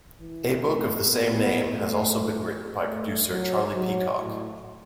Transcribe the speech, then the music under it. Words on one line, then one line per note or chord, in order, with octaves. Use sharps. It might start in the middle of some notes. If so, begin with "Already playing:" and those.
A book of the same name has also been written by producer Charlie Peacock.
E3
A3
B3
B3
A3
A3
F#3
F#3
A2